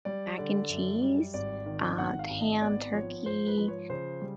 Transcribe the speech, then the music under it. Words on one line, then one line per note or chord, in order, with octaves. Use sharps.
mac and cheese, uh, ham, turkey,
G3 D5
D3 D5
F#2
G3
G#1 D5
D#3
G#1 F#5
F5
G#1
D#5
B3 D5
F3 C#5
G#2 C5
B4
F3
C#5
C#3 C5
G3